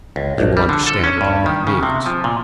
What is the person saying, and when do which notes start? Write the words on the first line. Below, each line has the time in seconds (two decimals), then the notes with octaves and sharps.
You will understand what all that means.
0.16 C#2
0.38 A#1
0.57 G3
0.69 D3
0.87 A4
1.04 C#4
1.21 G2
1.46 D#3
1.67 C#3
1.83 C3
2.06 F3
2.24 A#2